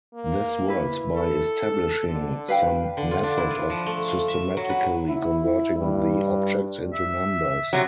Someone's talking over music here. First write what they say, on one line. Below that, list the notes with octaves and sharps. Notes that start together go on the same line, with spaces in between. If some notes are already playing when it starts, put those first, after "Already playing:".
This works by establishing some method of systematically converting the objects into numbers.
A#3
E4 B4
A4
D3
B4 F5 G5
D3
F4
D4
E4
F4
F3
A3
F5
E5
F#3
B4
E4
G2
E5
C3 F#3